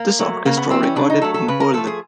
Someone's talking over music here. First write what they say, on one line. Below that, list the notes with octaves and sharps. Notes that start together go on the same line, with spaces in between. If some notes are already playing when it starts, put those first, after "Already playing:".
This orchestra recorded in Berlin.
Already playing: A#3
F#3 A3
C#3 A#3
B3
E3 G3 C4
C#4
C#3 D4
D#4
F#3 A3 A4
A4
C#3 B4
A#4
F3 A3 A4
G#4